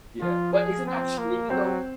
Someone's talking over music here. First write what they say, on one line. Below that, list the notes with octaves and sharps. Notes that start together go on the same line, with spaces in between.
Yeah, but isn't that streaming, though?
F3 F4
G#4
C4
A#3
F#3 C4